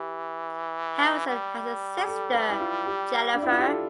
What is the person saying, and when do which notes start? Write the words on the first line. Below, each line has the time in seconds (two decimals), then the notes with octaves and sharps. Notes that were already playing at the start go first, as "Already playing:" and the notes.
Harrison has a sister, Jennifer.
Already playing: E3 G4
1.28 G3
1.98 G4
2.07 A4
2.34 B4
2.50 E4
2.60 F4
2.86 G4
3.34 D4
3.42 E4
3.50 F4
3.59 G4
3.66 A4